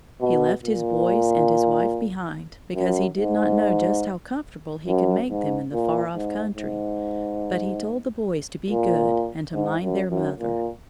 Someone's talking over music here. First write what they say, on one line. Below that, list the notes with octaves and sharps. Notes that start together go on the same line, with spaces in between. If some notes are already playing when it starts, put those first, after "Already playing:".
He left his boys and his wife behind, because he did not know just how comfortable he could make them in the far-off country, but he told the boys to be good and to mind their mother.
B2
A#2
F#2
G#2
F#2
G#2
A#2
G#2
G#2
A#2
G#2
F#2
F#2
A#2